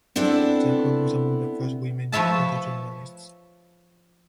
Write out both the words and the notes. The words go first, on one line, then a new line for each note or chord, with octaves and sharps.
Jacot was among the first women photojournalists.
B3 C4 D4 E4 A4
F3 B4 C#5 E5 A5